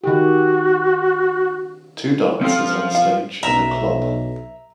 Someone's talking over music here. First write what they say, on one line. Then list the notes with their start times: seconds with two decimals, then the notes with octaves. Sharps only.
Two dancers on stage in a club.
0.04 D#3 F#4 G4
2.41 F3 C4 F4 A4 C5
2.95 F5
3.43 B1 E5 A#5